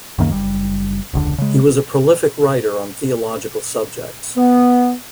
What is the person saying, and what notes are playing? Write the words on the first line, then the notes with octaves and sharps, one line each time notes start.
He was a prolific writer on theological subjects.
C#2 F#2 D#3 A#3
F#1 G3
E1 C#2 D3
C#3 G#3
B3